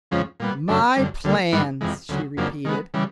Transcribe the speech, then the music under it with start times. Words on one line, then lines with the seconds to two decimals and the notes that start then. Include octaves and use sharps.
"My plans," she repeated.
0.11 F2 C#3 F3 G#3 C#4
0.40 A#2 G3 B3
0.68 F#2 C#3 F#3 A3 D4
0.96 F#2 D3 G3
1.24 D2 D3 G3 A#3
1.52 G#2 E3 G3 B3 D#4
1.81 F2 C3 E3 G#3
2.09 D2 C#3 F#3
2.37 F2 C#3 F#3 A#3 D4
2.65 D#3 G#3 B3
2.94 C#3 E3 G3